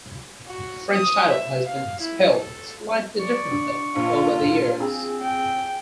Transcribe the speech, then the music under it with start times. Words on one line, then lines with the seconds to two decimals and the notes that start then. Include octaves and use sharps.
The French title has been spelled slightly differently over the years.
0.47 F#4
0.92 D#6
1.29 E5
1.67 F5
2.01 E4
2.34 A4
3.20 D5 C#6
3.51 D3
3.96 A#1 F4
4.80 C4 G#4
5.21 G5